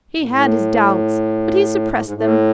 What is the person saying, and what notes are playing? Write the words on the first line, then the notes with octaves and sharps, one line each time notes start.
He had his doubts, but he suppressed them.
A#2
A2
A2
G#2
A2